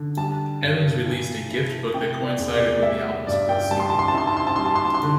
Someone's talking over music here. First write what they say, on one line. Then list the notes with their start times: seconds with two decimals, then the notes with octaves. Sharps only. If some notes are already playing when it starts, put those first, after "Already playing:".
Evans released a gift book that coincided with the album's fourth single.
Already playing: D3
0.17 G3 A5
0.62 G2
1.05 E3
1.50 E4
1.94 C3 G5
2.23 D5
2.38 E2
2.53 D5
2.77 D5
2.82 G3 E5
3.27 G2 D5
3.49 G5
3.71 G3 A5
3.80 C6
3.90 A5
3.99 C6
4.08 A5
4.14 E4 C6
4.27 A5
4.37 C6
4.47 A5
4.56 G3 C6
4.65 A5
4.75 C6
4.85 A5
4.94 C6
5.03 D3